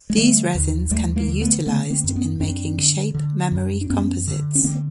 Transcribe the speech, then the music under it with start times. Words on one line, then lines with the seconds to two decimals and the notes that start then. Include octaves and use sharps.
These resins can be utilized in making shape memory composites.
0.10 G#3
0.17 D3 G3 A3
0.55 D#2
0.91 D#2 G3 A3
1.16 G#3 A#3
1.28 D3
1.41 A3 B3
1.66 D3 A3 B3
1.90 A#3 C4
2.04 F#2
2.09 C4
2.16 B3 C#4
2.40 F#2 C4 D4
2.78 D3
3.14 D3
3.52 F#2
3.81 D4
3.90 F#2 B3 C#4
4.27 D3
4.55 C#4
4.64 D3 A#3 C4